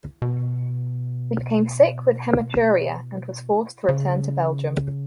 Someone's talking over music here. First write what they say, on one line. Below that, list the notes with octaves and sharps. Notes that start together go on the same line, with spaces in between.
He became sick with hematuria and was forced to return to Belgium.
B2
C#3